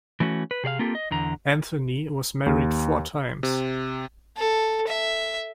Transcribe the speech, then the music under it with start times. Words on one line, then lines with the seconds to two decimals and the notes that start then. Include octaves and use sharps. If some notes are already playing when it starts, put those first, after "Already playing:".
Anthony was married four times.
0.20 E3 A3 C#4 F#4
0.51 B4
0.64 C3 G#4 D5 F5
0.79 A#3 C4 F4 G4 A4
0.95 D#5
1.11 E2 D3 A#5
2.46 D#2
3.43 C3
4.37 A4
4.87 E5